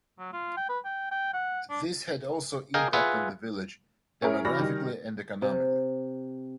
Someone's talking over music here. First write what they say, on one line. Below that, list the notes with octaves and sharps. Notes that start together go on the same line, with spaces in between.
This had also impact on the village, demographically and economically.
F#3
F4
G5
B4
G5
G5
F#5
D4
G#4 A#4 D#5 F5 G5
F4 G#4 B4 E5 F#5
C#4 E4 G#4 A#4
E3 F#4 D5 B5 F6 A#6
D#3 G3
C3